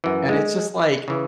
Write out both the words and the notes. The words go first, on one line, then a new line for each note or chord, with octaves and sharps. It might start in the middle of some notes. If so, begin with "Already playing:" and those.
and it's just like
F#2 E3
G#3
C#3 E3